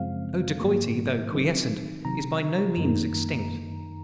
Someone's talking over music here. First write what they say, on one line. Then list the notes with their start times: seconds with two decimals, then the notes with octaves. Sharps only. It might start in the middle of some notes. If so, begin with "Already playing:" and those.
Oh, dacoity, though quiescent, is by no means extinct.
Already playing: F#2 C#3 F3 G#3 C4 F5
0.60 G#2 D#3 F#3 A#3
1.32 D#3 F#3 C4 D#4
2.05 C3 D#3 F#3 A#5
2.77 F#2 D#3 A#3 D#4